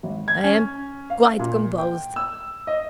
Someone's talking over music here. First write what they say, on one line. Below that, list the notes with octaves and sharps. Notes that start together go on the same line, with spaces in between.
"I am--quite composed."
G#1
G#6
C#4
F5
A#2
G5
E6
D#5